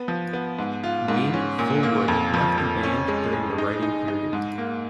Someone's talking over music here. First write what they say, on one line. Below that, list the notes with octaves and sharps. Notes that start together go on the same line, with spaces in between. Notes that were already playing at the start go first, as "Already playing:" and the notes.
Wayne Fullwood left the band during the writing period.
Already playing: B3
F3
B3
G#2
F4
G#2
C#4
A#2
A#3
F2
F3
F2
C#4
G#3
G#3
D#4
D#4
D#4
G#2
A#3